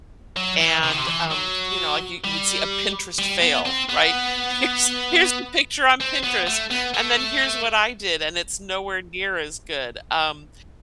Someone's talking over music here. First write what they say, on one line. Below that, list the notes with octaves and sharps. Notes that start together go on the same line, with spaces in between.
and, um, you know, like, you would see a Pinterest fail, right? "Here's here's the picture on Pinterest, and then here's what I did," and it's nowhere near as good. Um
F#3
E3
C3
D#3
C3
E3
F#3
G3
G3
B3
C4
B3
C4
B3
A3
B3
A3